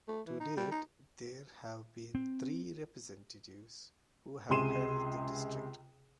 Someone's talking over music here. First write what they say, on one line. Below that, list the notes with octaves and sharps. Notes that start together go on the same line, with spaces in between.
To date there have been three representatives who have held the district.
A3
E3
D#4
G3
D#4
C4
C#2 C3 G#4 C6 D#7 E7